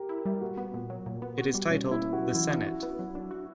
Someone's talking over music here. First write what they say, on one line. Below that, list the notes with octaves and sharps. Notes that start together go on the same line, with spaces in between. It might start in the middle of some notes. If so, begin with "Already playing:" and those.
It is titled, The Senate.
Already playing: G4 A#4
E4
G3
A#2 F#4
B3
A#2
F#3
A#2
B3
F#4
G3
B2 C#4
A#3
E4
B2
F#4
F#3
E3 E4
D4
F#4
B3
F#3
D4
F#4